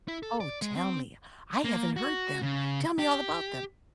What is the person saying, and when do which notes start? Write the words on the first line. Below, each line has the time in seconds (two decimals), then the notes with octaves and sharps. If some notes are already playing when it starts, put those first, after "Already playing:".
Oh, tell me, I haven't heard them. Tell me all about them.
0.08 E4
0.23 A4
0.40 D5
0.62 G#3
0.75 C4
1.65 A#3
1.96 F#4
2.42 C#3
2.99 G4